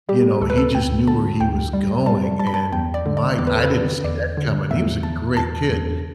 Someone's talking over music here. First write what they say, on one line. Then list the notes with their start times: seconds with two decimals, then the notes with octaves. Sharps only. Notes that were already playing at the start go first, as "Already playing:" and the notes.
you know, he just knew where he was going, and my g I didn't see that coming, he was a great kid,
0.09 G3 G4
0.41 D2 A4
0.50 B4
0.58 A4
0.75 D2 G5
1.07 D3 A5
1.40 D2 G5
1.73 G3
2.06 G3 A5
2.39 G3 A5
2.47 B5
2.54 A5
2.72 E2 G5
2.94 D5
3.06 D3
3.17 D5
3.38 E2 D5
3.47 B4
3.55 A4
3.64 B4
3.71 D3
4.04 E2 D5
4.37 D3
4.71 E2 E5
5.03 E2 A5
5.37 E2 A5
5.70 E2